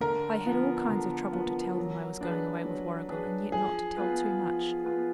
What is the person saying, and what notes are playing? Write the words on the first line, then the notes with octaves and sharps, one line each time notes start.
'I had all kinds of trouble to tell them I was going away with Warrigal, and yet not to tell too much.
D3 A#4
F3 B3
D3
F3 B3
F#3
D4 G#4 B4
F#3
D4 G#4 B4
F3 G#4
B3 F4 B4
F3
B3 F4 B4